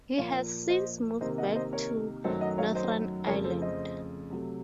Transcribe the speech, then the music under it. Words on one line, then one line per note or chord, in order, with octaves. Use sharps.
He has since moved back to Northern Ireland.
A#2 F3 A#3 C#5 F5
C5 D#5
C3 D#3 A#3 C5 D#5
D#5 F#5
C5 D#5
A#4 C#5
F#2 D#3 F#3 A3 A4 C5
D#5 F#5
C#5 F5
C5 D#5
F2 C#3 A3 A#4 C#5
A4 C5
C5 D#5
C3 F#3 A3